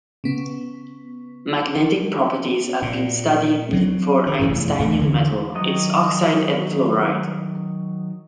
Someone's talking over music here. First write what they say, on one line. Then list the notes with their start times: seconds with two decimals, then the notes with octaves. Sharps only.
Magnetic properties have been studied for einsteinium metal, its oxide and fluoride.
0.24 C#3 B3
2.82 A#2
3.73 F#3 C4 D4
4.27 D#3
4.39 F1 E2 G2
4.79 E2 E3 A3
4.99 D3 E3 G#3
5.55 D#3 F#3 D#5